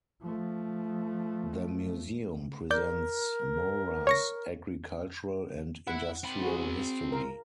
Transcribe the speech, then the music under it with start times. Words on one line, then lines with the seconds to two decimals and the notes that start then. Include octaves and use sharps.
The museum presents Moura's agricultural and industrial history.
0.22 F3 A3
2.71 A#4 D5 G6
4.07 C#5 C#6 A#6
5.87 E4 F#5
6.24 C4 B5
6.42 F#4 G#4
7.12 A#4